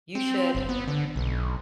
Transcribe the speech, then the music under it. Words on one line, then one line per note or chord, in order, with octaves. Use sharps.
You should
C4
G1
B3
D3
B1